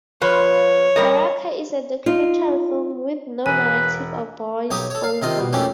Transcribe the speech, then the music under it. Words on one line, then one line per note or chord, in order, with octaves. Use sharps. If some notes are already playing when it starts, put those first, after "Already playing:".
"Baraka" is a documentary film with no narrative or voice-over.
F3 F4 B4 C#5
G3 A#4 D#5
D#4 F4
E1 B4 G#5
B1 D#4 G4 C#5 D6 D#6
A4 C#5
F5
C3 D#3 F4 D#5
B2
F2 A3 A#3 C#4 D#4 G4